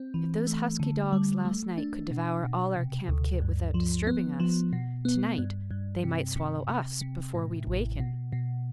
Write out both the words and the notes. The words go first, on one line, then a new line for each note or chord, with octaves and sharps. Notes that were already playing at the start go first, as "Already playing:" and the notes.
'If those husky-dogs last night could devour all our camp kit without disturbing us, to-night they might swallow us before we'd waken.'
Already playing: C4
E3
A3
D3
G3
A3
D4
B2
B2
C3
D2
G2
F3
B3
F3
B2
B3
G2
G2
C3
C3
C3
C3
A2
A1
B2
B2